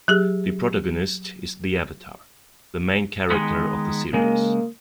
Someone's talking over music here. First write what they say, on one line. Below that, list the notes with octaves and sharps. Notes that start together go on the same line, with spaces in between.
The protagonist is the Avatar, the main character of the series.
F#3 G4 G#4
D#3 G#3 B3
C#3 G#3 A#3